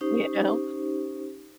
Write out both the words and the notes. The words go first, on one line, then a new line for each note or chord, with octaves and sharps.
You know?
C#4 D#4 G4 C5